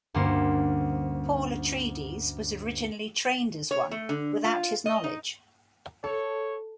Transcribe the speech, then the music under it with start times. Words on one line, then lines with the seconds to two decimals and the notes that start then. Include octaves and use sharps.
Paul Atreides was originally trained as one without his knowledge.
0.14 D2 G2 A#3 C#4 C5
3.71 C#5
3.91 A3
4.09 D3
4.45 F4
4.86 D#5
5.04 D#4
6.04 A4 C#5